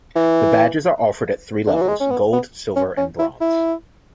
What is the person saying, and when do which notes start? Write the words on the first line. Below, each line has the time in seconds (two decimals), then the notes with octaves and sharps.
The badges are offered at three levels: gold, silver and bronze.
0.15 E3
1.67 D3
1.74 E3
1.82 F#3
1.88 G#3
2.01 C#4
2.10 B3
2.33 B3
2.76 C#4
2.98 C#4
3.19 E4
3.41 E4